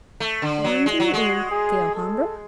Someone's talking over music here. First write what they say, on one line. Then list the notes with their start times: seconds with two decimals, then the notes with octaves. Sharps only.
'London and the Alhambra!'
0.20 A3
0.42 D3
0.64 F#3
0.86 G#3
1.00 F#3
1.08 F#4
1.13 G#3
1.51 G#4
1.95 A4